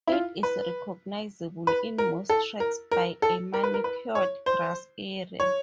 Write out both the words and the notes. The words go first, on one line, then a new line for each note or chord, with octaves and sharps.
It is recognizable in most tracks by a manicured grass area.
E4
F4
B4
B4
A#4
A4
A#4
A#4
A4
A#4
B4
A#4
B4
C#5
C5
C#5